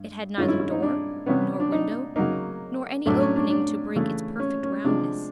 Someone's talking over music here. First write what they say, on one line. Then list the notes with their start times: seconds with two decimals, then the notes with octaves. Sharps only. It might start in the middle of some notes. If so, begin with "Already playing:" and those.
It had neither door, nor window, nor any opening to break its perfect roundness.
Already playing: G2
0.37 G2 D#3 G#3 C#4 F4
0.48 E4
0.60 E4
0.71 D#4
0.82 D4
1.26 C3 E3 G3 B3 C#4
1.60 D4
1.72 D#4
2.16 C#3 F#3 A#3 D#4
3.06 A2 F#3 A3 D4
3.21 C#4
3.36 D4
3.50 D4
3.96 C#3 E3 A3
4.40 C#4
4.63 C#4
4.84 C3 F3 G#3 D4